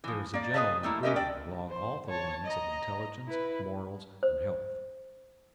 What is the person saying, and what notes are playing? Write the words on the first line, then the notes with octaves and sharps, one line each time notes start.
There is a general improvement along all the lines of intelligence, morals, and health.
E3 F3
A#3 D5
G#4 B4 C#5 D#5 F5 A5
G3 A3 A#3 E4
B3 C#4 G4 A#4 D#5 E5
D4 D5 G5
C5
C#5 A5
D#5 A#5
E4 B4
C5